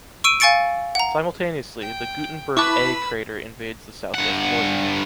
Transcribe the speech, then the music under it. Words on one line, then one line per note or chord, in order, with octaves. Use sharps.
Simultaneously, the “Gutenberg A” crater invades the Southwest border.
C#6 E6 D7 D#7
F5 G#5 C#6 A6 C#7 D7
F#5 A#5
G5
E4 B4 A5 B5 C#6 D6 E6 F#6
G2 F#5